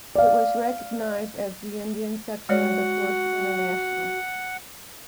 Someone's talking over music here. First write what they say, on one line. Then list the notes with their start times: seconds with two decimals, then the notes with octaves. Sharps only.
It was recognized as the Indian section of the Fourth International.
0.15 D5 F5
2.49 G#3 F#4 C#5 D5 F#5